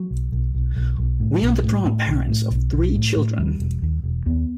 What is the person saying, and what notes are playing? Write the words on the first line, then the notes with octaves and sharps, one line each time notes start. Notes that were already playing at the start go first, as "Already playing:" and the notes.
We are the proud parents of three children.
Already playing: F#3
B1
B1
B1
B1
B1
A2
B1
A2
A2
B1
A2
B1
B1
A2
A2
D#2 G3
E1
D#2
E1
D#2 B3